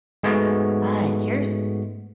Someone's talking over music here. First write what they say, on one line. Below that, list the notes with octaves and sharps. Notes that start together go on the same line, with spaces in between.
But here's
G#2 G#3 A3 B3 F#4